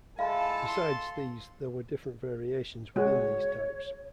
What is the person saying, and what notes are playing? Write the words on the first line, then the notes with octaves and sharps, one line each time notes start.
Besides these there were different variations within these types.
G#3 E4 F4 A4 F5 A5
C6
G#3 F#4 C#5